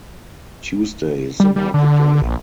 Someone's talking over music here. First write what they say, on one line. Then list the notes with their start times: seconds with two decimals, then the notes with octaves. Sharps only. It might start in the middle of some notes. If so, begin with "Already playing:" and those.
Tuesday is the market day.
1.40 G3
1.56 G3
1.74 D3
2.22 A#1